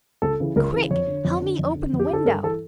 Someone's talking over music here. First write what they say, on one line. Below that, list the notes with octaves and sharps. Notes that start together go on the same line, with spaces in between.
"Quick, help me open the window."
C#2 A4
C#3 E3
C#2 A#4
C#3 E3
F2 C#5
D3
F2
D3
F2
D3
F2
G4
D3 A4
G2 A#4
E3 A4